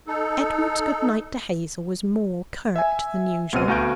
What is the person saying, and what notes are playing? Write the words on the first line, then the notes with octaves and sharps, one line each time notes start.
Edward's good night to Hazel was more curt than usual.
D#4 A4
E5 G#5
C#2 B2 C4 F#5 F6 D#7
D2 B3 F#4 F5 G6 D7